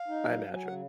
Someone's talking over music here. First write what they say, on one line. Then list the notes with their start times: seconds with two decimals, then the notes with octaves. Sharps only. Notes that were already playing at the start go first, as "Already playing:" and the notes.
I imagine,
Already playing: F5
0.08 D#4
0.27 F#3
0.46 F#3
0.56 G#5
0.64 C#3 F#5